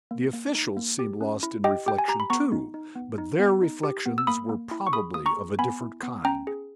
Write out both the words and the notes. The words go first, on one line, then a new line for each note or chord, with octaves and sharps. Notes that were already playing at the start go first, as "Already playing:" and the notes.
The officials seemed lost in reflection too; but their reflections were probably of a different kind.
A#3
A#3
D#4
A#3
G4
C#4
E4
G4 D#5 G5
G4 G5
G#5
G4 A#5
B5
B3 A#5 C#6
D#4
D#4
B3
D#4
B3
D#4
G4
B3
E6
A#3 B5 D#6
A#3
E4
C#6
G#4 B5 D#6
A#3 D#6
A#5 C#6
G#4
B3 G#5 B5
E4
B3
C#4 G5 A#5
G#4